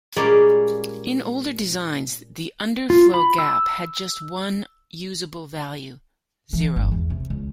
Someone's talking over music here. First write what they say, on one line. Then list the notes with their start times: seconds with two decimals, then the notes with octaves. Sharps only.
In older designs, the underflow gap had just one usable value, zero.
0.16 A#2 G3 G#3 A#3 C#4 D5
2.90 F4
3.14 B5
3.39 E6
6.53 E3
6.76 G1
6.92 E2
7.10 C3
7.30 C#2